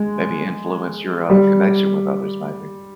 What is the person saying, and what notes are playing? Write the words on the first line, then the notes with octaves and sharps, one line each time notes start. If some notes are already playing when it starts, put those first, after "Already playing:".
maybe influence your, uh, connection with others maybe?
Already playing: G#3
G3